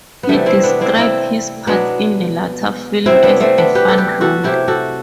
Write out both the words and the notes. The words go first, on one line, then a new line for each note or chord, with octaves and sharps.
He described his part in the latter film as a "fun role".
B3
C3 E3 G3 A3
C4 E4
B3 D4
C4 E4
C4 E4
B2 F#3 B3 D4
C3 F#3 C4 E4
B3 D4
A3 C4
B3 D4
G4 B4
A4
G4 B4
F#4 A4
C3 F#3 E4 G4
F#4 A4